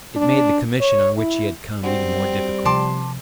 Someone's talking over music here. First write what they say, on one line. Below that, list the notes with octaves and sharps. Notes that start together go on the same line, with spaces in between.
It made the commission on which he had come even more difficult.
D4
C#5
E4
G3 C4 D4 F#4
C3 F3 A5 C6 D6